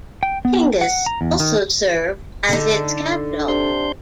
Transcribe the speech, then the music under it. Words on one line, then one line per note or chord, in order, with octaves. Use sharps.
Tingis also served as its capital.
G5
B3
F#5
A#5
E2
D#3
D3 D#4 A4
C3 D4 C6 G6